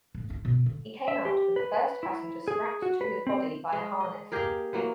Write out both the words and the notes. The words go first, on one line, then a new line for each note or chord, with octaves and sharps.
He came out with the first passenger strapped to his body by a harness.
D1
E4
B2
D3
E5
G4
B4
B4
E4
G#4
F#4
B4
C4
G#3
D#5
A#3 G4 G#4 A#4
E3 F#3 A#3